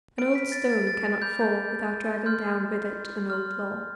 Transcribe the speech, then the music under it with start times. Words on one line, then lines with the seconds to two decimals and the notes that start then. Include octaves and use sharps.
An old stone cannot fall without dragging down with it an old law.
0.18 B5 F6 D7
0.35 B6
0.52 A6
0.70 A6
0.87 A6
1.05 A6
1.22 B5 D6 F6 G6
1.41 G6
2.26 C6 F6 G6
3.30 C6 F6